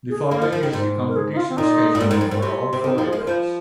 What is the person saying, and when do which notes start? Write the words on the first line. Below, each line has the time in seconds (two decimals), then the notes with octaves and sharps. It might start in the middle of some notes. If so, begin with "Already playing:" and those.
The following is the competition schedule for all four events.
0.10 G#4
0.31 A#3 A#4
0.42 F3
0.52 F3
0.63 D#3
0.73 G#2
1.08 A#4
1.16 G#4
1.32 D#4
1.37 F4
1.49 C4
1.57 A#2 D#4
1.95 A#2
2.01 G#2
2.11 G#2
2.21 F2
2.31 G#2
2.42 C3
2.73 C3
2.84 D#3 C4
2.95 D#4
2.98 F3
3.05 G#4
3.13 G#3 A#4
3.27 F3 C5